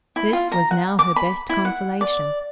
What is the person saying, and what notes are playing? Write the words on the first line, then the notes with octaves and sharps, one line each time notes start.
This was now her best consolation.
E4
F4
A#5
F#5
D6
B5
E4
F#5
D5